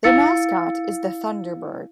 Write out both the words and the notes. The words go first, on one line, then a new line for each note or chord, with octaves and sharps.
Their mascot is the Thunderbird.
E4 F5 E6 A6 C#7